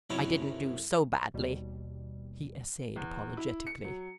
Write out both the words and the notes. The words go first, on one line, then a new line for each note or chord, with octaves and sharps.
"I didn't do so badly," he essayed apologetically.
F#2 A2 C3 C#4 D#4 E4
D#2 B2 G3
E2
E4
C#7
F#3